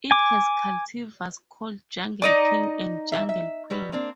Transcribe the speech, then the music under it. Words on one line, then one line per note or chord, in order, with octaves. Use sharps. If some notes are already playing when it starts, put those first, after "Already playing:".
It has cultivars called Jungle King and Jungle Queen.
G#5 D6
D#4 D5 D#5 D6
E3 A#3 E5
E5
F#3 G3 B4
A#3 C4 D4